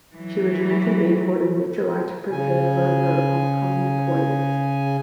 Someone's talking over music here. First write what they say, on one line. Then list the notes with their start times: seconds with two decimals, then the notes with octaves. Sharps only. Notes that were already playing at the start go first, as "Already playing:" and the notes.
She returned to Mayport in mid-July to prepare for her upcoming deployment.
0.16 E3 F#3
2.31 C#3 G#5